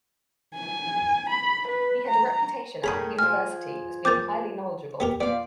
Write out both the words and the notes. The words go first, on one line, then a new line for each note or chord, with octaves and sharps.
He had a reputation at the University as being highly knowledgeable.
G#5
B5
B4
A#5
D#3 A3 C#4 G#4 A#5 B5 D#6
F3 G#5 F6
C4 A#4 D6 G6 A6
B3 G4 A#4
F3 B3 D5 F5